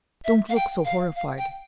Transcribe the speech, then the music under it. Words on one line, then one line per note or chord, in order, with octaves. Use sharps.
Don't look so horrified.
E5
F5
G5
F5
F5
G5